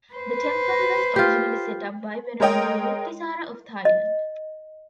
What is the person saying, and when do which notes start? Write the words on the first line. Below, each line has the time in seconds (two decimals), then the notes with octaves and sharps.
The temple was originally set up by Venerable Vutthisara of Thailand.
0.13 B4 C5
1.16 F4 G4
2.40 G#3 A#4 C#5 D#5 G5
3.85 D#5